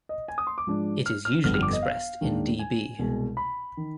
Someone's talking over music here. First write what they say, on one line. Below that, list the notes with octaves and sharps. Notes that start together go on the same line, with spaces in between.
It is usually expressed in dB.
D#5
G#5
D#6
C6
D6
G#2 F3 G#3 D4
F6
F6
G1 F2 D3 G3 B3 F6
F6
D6
D#5
F5
D#2 D#3 G#3 D4
G#5
C2 B2 G#3
B5
D#3